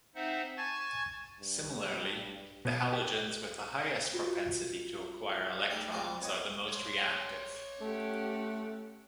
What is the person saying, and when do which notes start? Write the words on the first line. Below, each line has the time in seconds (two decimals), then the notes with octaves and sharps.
Similarly, the halogens with the highest propensity to acquire electrons are the most reactive.
0.15 C4 D#4 C5 E5 F#5
0.57 G#5 A5 C#6 G#6 A6
1.40 G2
2.65 B2
2.93 G4
4.14 F4 F#4
5.70 G3 A3 D#4 G#4
5.92 G3 G#3 C4 F4 F#4
6.21 B3 C#5 D#5
6.68 C#5 C6
7.81 A3 C#4 G4 F#5